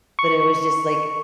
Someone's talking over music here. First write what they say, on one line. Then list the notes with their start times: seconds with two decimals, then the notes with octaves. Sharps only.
but it was just like
0.19 C#6